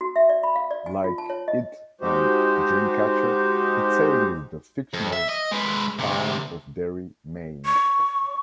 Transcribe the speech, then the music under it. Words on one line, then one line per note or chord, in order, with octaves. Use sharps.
Like "It" and "Dreamcatcher", its setting is the fictional town of Derry, Maine.
F#4
E5
D5
B5
F5
D5
G#5
F4
A5
C#5
D#5
G#3 D#4 F#4 G4 C5
F2
E5
D#5
G#3 B4
D2 C3
C#6